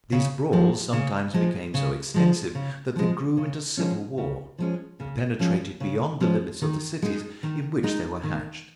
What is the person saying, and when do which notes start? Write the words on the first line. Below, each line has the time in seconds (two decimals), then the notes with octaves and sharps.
These brawls sometimes became so extensive that they grew into civil war, and penetrated beyond the limits of the cities in which they were hatched.
0.12 C#3
0.53 F3 G#3
0.93 C#3
1.34 F3 G#3
1.74 C#3
2.14 F3 G#3
2.55 C#3
2.96 F3 G#3
3.37 C#3
3.77 F3 G#3 C#4
4.18 C#3
4.58 F3 G#3 C#4
5.00 C#3
5.39 F3 G#3 C#4
5.80 C#3
6.21 F3 G#3 C#4
6.62 D#3
7.02 G#3 D#4
7.43 D#3
7.83 G#3 D#4
8.23 D#3